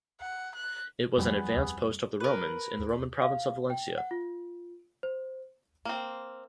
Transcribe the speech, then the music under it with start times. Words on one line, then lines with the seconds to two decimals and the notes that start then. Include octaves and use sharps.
It was an advance post of the Romans in the Roman province of Valentia.
0.20 F#5
0.55 F#6
1.18 F2 G3 B3 G#4
2.20 A#4 B4
3.22 F5
3.70 G5
3.98 F#5
4.11 F4
5.03 C5
5.85 A#3 C4